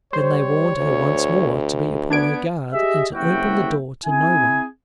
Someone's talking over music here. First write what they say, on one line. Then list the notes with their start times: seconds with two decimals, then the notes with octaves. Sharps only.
Then they warned her once more to be upon her guard and to open the door to no one.
0.13 G3 C5 C#5
0.77 D2
2.10 B3 D4 G#6 D7
2.73 G4 G#4 D#5 E5
3.14 F#1 C3 E4 F#4 G5
4.06 C4 E4 G#4 G#5